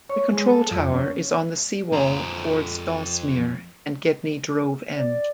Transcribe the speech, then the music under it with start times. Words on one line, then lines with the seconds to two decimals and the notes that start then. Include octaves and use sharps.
The control tower is on the sea wall towards Dawsmere and Gedney Drove End.
0.10 C#5
0.32 G#3
0.47 A4
0.71 F2
0.92 C#4
1.92 F2 A#5
4.96 D5